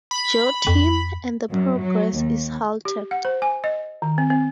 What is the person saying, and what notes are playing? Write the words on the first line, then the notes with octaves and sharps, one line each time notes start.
Joe team, and the progress is halted.
B5
F2
F#2
F#3
D#2
G4
F#5
C5
G#5
D#5
D#3
C4
C4